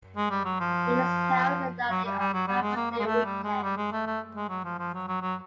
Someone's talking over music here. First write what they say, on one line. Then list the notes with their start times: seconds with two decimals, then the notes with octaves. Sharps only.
It is held annually on Labor Day weekend.
0.17 G#3
0.31 G3
0.45 F#3
0.60 F3
1.90 F#3
2.05 G3
2.19 G3
2.34 F#3
2.48 G3
2.62 G#3
2.76 A#3
2.91 A#3
2.99 G#3
3.06 A3
3.25 G3
3.44 G#3
3.63 G3
3.77 G#3
3.92 A3
4.07 A3
4.36 G#3
4.49 F#3
4.64 F3
4.78 F3
4.94 F#3
5.08 F#3
5.22 F#3